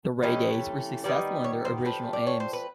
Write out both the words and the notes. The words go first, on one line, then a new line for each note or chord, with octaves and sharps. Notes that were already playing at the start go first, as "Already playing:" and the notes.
The Rae Days were successful in their original aims.
C3 E3 A3 C#4 D#5
D#3 G3 B3 D#4 D5
C#5
C5
F3 A3 C4 B4
D5
C#5
C5
B4